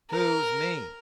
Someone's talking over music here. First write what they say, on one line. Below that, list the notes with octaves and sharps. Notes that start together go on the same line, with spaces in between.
"Who's me?"
A#4